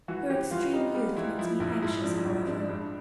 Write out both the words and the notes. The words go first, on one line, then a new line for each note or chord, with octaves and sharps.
Her extreme youth makes me anxious, however.
E3 F#4
E3 G4
E3 F4
G3 D#4
G3
E3 E4
F3 E4
A#1 E4
G#2 E4
F3 D4
A#1
G#2 D4
G2 D4